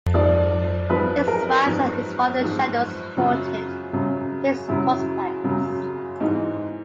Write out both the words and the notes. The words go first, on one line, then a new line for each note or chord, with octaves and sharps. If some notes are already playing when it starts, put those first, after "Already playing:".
His wife's and his father's shadows haunted his prospects.
G#2 F3 D5
G#2 F3 B4
A#4
G#2 F3
G#2 F3
F#2 C#3 F#3 F4
F#2 C#3 F#3
F#2 C#3 F#3 E4
F#2 C#3 F#3
G#2 E3 D#4